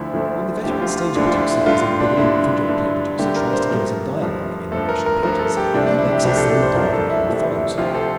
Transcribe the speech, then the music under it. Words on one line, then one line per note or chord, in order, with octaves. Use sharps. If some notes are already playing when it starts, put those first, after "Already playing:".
When the veteran stage-producer as a beginning photoplay producer tries to give us a dialogue in the motion pictures, he makes it so dull no one follows.
Already playing: D2 D3 F3 A3 E4
D2 D3 F3 A3
D2 D3 F3 A3 G4
F4
F4
D2 D3 F3 A3 D4
F4
E4
E4
G2 D3 A3 F4
G4
D4
G2 D3 A3 E4
G2 D3 A3
G2 D3 A3 G4
A#4
C5
G2 F3 A3 A#4
G2 F3 A3
G2 F3 A3 A4
A#4
A#4
G2 F3 A3 A#4
A4
G4
C2 C3 F3 A3 D4
D4
E4
G4
C2 C3 F3 A3 G4
A4
A4
C5
C2 C3 F3 A3 A#4
A4
E4
C2 C3 F3 A3
D2 C3 F3 F4
A4